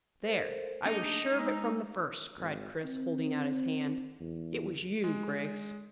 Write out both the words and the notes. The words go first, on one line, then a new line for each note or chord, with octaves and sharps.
"There, I was sure of it from the first," cried Chris, holding out his hand; "it was you, Griggs."
A4 A#4 C5
A3 A#3 D4 D#4
G#3 E6
G#1
C4
E2
G#3